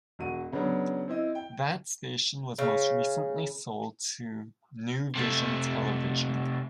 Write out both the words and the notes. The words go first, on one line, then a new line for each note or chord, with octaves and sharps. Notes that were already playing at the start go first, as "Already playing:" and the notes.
That station was most recently sold to New Vision Television.
E1 F#4 D#7
C#3 F#3 B3 D4
C4 E4 D#5
G5
C#3
C3 A3